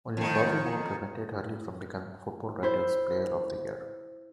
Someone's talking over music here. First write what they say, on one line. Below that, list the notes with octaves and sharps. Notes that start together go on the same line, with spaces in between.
Only Bobby Moore prevented Hurley from becoming Football Writers Player of the Year.
F2 D#3
E4 C5